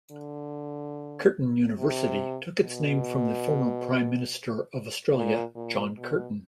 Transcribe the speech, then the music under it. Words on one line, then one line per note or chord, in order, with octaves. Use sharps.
Curtin University took its name from the former Prime Minister of Australia, John Curtin.
D3
C3
B2
A#2
A#2
B2